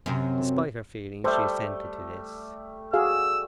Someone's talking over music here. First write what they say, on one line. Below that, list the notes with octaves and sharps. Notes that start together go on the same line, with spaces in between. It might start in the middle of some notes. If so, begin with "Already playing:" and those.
Despite her feeling she assented to this.
F#2 C3
G3 A3 C5 E5
F#4 G#4 F5 E6